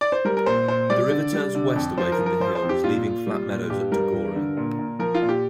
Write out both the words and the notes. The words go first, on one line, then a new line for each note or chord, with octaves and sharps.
The river turns west away from the hills leaving flat meadows up to Goring.
D5
C5
G3 A#4
A#4
A#2 C5
A#2 C5
G3 D5
D3
G3
D3
F2
F3 C5
A#4
F3
A#4
F3 C5
C5
F2
G4
A#2 F4
A#2
G3
A#2
G2 G4
G3 A#4
G2
D3
A#2
A#2
F3 A#4
F4
A#2
G4